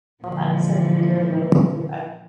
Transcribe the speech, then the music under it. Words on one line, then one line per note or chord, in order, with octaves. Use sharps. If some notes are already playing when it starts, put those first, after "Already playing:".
They find him guilty of treason and sentence him to death.
A#2 D3 E3 F3 G#3